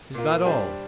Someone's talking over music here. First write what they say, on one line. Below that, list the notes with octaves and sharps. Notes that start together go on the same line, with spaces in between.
"Is that all?"
A#2 A#3 F4 A#4
G3 D4 G4 C5